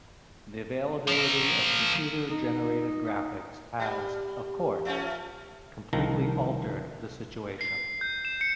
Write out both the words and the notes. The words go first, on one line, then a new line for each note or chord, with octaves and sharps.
The availability of computer-generated graphics has, of course, completely altered the situation.
F3 A#4
D#4
G3
F3 A3 C#4
C2 D#3 F3 A#5
C7
G6
E7
C#7